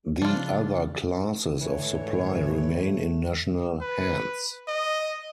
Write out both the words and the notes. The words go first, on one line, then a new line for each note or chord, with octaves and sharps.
The other classes of supply remain in national hands.
C#3 F3 D4 F4
G#2 D3 E3 A3 C#5
B4
D#5